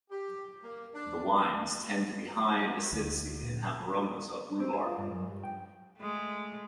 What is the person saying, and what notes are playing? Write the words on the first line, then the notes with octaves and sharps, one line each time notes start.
The wines tend to be high in acidity and have aromas of rhubarb.
G4
A#3
D4
D2
A#2
C4
G#4
F4
G2
F#2
G2
G5
G#3 A3